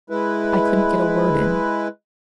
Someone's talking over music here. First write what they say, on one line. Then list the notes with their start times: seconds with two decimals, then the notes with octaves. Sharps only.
I couldn't get a word in.
0.10 G#3 E4 B4